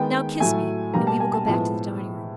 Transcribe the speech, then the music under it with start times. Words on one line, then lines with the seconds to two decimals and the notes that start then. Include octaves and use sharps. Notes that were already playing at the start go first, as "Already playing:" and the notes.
"Now, kiss me, and we will go back to the dining-room."
Already playing: D#3 G#3 B3 G5
0.40 A2 F#3 A3 G#5
0.94 B2 G3 A#3 A#5
1.07 A5
1.20 G#5
1.34 A5
1.46 A2 F3 G#3 B3 A5